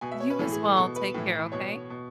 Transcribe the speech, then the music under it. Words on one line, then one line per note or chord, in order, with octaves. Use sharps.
You as well. Take care, okay?
B2 G#5
E5
C#5
B4
A2 E3 A4
G#4
A4
B2 A4
B4
A2 E3
B2 C#5
B2